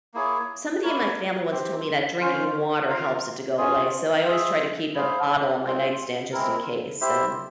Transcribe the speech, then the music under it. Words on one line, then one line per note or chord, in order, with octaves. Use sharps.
Somebody in my family once told me that drinking water helps it to go away, so I always try to keep a bottle on my nightstand just in case, and
A#3 E4 G#4 C#5
A#3 E4 A#4 C#5
C4 G4 C5
C#4 F4 C5 F5
F4 A#4 F5
C#4 F4 G#4
F4 G#4 E5
E4 G#4 C5 F5
G#3 C4 F4 C5
G#3 C4 E4 A#4
E4 G4 C5 E5